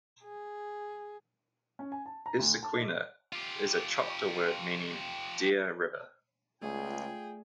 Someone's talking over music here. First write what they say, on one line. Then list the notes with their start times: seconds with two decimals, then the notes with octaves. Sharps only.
"Issaquena" is a Choctaw word meaning "Deer River".
0.24 G#4
1.79 C#4
1.92 G#5
2.06 A5
2.26 A#5
2.39 D2
2.63 A5
2.76 D#4
3.33 F4 G4
6.62 C#2 A3 F4 G#4 D5 G5